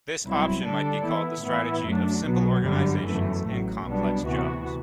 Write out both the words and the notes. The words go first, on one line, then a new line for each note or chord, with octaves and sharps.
This option might be called the strategy of 'simple organisations and complex jobs'.
C2 B2 F#3 C4 E4
D3 G3 D4 A4 D5
E3 B3 E4
A2 E3 B3 E4
F#2 F#3 A3 D4
B1 B2 F#3 B3
G1 F#2 D3 G3
G1 F#2 E3 A3
A1 A2 F#3
B1 B2 G3 B3 D4
D2 C3 E3 B3 F#4